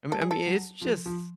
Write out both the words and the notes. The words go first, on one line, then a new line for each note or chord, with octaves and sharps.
I me I mean, it's just
G3 A4
G#4
A4
F#3
F3
F3